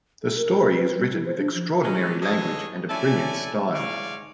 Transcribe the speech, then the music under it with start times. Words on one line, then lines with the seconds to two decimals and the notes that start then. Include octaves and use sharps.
The story is written with extraordinary language and a brilliant style.
0.23 A4
0.36 A#4
0.59 C5
0.75 B4
0.98 G3
1.13 E4
1.26 C5
1.39 D4
1.54 F3
1.83 G#3 C#4 D4
2.21 G2 C#3 G#4 A4 C#5 D#5
2.89 A3 C#4 E4 A4 D5 G#5
3.74 G#2 E3 C#5 D5 F5